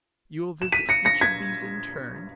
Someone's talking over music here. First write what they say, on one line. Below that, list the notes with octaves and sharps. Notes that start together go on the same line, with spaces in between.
"You will visit each of these in turn."
E7
B6 D#7
A#6 C#7
A#6 C#7
G#6 B6